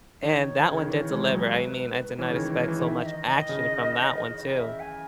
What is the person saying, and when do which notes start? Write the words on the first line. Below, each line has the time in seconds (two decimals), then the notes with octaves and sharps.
and that one did deliver, I mean, I did not expect so much action from that one too,
0.23 D#3 C#5
0.72 C#3
0.80 D#3
0.88 E3 C#5
1.10 G#3
1.31 F#3
1.53 B4
2.19 E3 C#5
2.30 C#3
2.35 D#3
2.51 E3
2.68 E3
2.79 C#3
2.84 D#3 E5
3.06 D#5
3.27 D#5
3.49 C#3
4.14 D#5
4.36 D#5
4.58 E5
4.80 G#5